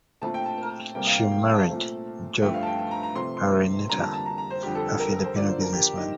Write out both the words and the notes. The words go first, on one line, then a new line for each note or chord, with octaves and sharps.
She married Jorge Araneta, a Filipino businessman.
A#2 A3 C4 A5
G5
A5
C3 G3 A#3 G5
F5
G5
F5
G5
A5
A#2 A3 C4
G2 F3 A3 G5
F5
A5
G5
A5
A#5
A#5
C3 F3 A3 C4 C6
C6
F2 D3 G3 A#3 A#5
A5
A5
A#5
A#5
C5
F2 D3 G3 C4 G4
A4
A4
A#4
A#4
C5
D3 F3 A#3 D5
C5
A#4
G4
D#4